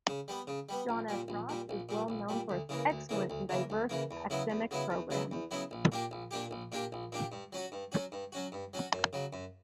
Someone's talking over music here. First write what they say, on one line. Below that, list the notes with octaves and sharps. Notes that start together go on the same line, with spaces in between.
John F. Ross is well known for its excellent and diverse academic programs.
C#3
G3 B3
C#3
G3 B3
A#1
A#2 G3
A#1
A#2 G3
A#1
A#2 G3
A#1
A#2 G3
D2
C#3 E3 A#3
D2
C#3 E3 A#3
D2
C#3 E3 A#3
D2
C#3 E3 A#3
E2
C#3 F#3 B3 E4
E2
C#3 F#3 B3 E4
E2
C#3 F#3 B3 E4
E2
C#3 F#3 B3 E4
A#1
A#2 A#3 D4 G4
A#1
A#2 A#3 D4 G4
A#1
A#2 A#3 D4 G4
A#1
A#2 A#3 D4 G4
G2
F#3 C#4 F#4
G2
F#3 C#4 F#4
G2
F#3 C#4 F#4
G2
F#3 C#4 F#4
F#2
C#3 F#3
F#2